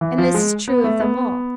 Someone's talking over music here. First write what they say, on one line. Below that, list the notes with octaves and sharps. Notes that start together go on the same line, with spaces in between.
And this is true of them all.
E3
F3
G#3
B3
A3
B3